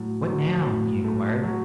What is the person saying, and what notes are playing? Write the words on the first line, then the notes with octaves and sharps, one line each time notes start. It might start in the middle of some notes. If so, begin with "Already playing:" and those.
"What now?" he inquired.
Already playing: A2 F#3
F#3
A2
A3
F#3